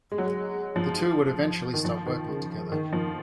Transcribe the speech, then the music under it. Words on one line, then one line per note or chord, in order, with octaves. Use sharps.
The two would eventually stop working together.
G#3
F#3
G#3
F3
D#3
F3
D#3
C#3
D#3
F3